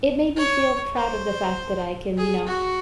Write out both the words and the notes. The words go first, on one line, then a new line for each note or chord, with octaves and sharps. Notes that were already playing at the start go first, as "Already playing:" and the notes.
it made me feel proud of the fact that I can, you know,
C#5
C5
G#4
F#4